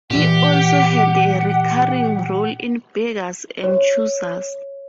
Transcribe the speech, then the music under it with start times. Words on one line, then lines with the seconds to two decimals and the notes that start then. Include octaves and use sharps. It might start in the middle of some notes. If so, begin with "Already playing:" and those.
He also had a recurring role in "Beggars and Choosers".
0.11 A#2 E3 G4 F#5
3.64 C#5